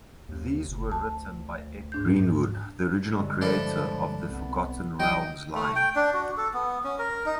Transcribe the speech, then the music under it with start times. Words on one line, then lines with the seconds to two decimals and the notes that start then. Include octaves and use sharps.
These were written by Ed Greenwood, the original creator of the Forgotten Realms line.
0.29 D#2
0.68 F#1
0.92 D2 A5
1.92 G#2 D4 G6
3.19 G2 D3 G#3
3.41 F3 D4 E4 A4
4.29 C2 B3
5.00 C2 F#3 D#4 G5 D#6
5.55 A3
5.76 G5
5.96 D4
6.14 F#4
6.37 A4
6.54 B3
6.84 C#4
6.98 A#4
7.26 D#4